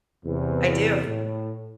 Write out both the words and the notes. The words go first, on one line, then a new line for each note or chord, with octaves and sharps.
I do.
E2 C3
A2